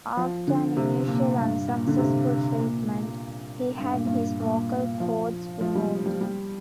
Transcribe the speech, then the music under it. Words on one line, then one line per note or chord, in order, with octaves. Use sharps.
After an initial unsuccessful treatment, he had his vocal chords removed.
F3
D3
C3
A#2
G2
A#2
D3
C3
A#2
G2
A#2
G2
A#2
A#2
F3
F3
G3
G3
G3